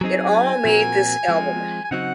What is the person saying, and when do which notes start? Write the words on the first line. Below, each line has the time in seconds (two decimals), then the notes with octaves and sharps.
It all made this album.
0.01 F#3 C4 D#4 G#4 G#5
0.65 A#2 F3 C4 F#4 A#4
1.28 F3 G#3 C4
1.84 G#5
1.91 C#3 F#3 C4 D#4 F#4 F#5